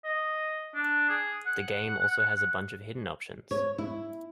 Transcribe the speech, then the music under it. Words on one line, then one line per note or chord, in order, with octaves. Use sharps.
The game also has a bunch of hidden options.
D#5
D4
G#4
F#5
C#5
E4